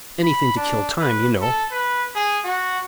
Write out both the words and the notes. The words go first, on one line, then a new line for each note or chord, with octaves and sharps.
"Anything to kill time, you know."
B5
D4
B4
A4
B4
G#4
F#4